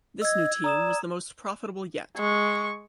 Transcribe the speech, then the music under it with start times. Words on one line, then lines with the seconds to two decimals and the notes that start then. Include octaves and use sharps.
This new team was the most profitable yet.
0.22 D#5 E6 G#6
0.64 D5 A#5 D#6 E7
2.17 G#3 C#6